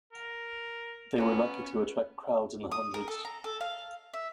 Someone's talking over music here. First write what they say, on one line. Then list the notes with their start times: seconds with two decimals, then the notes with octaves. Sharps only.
They were lucky to attract crowds in the hundreds.
0.13 A#4
1.16 C#3 F#3 A#3 B3 C#4
2.72 D#6
2.94 A#4
3.08 A4
3.25 A#5
3.44 A4
3.61 F5
4.14 E5